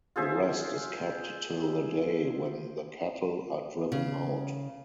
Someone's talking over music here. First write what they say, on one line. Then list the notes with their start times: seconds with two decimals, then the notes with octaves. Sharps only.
The rest is kept till the day when the cattle are driven out.
0.16 F4 G#4 C5 E5
3.92 C#3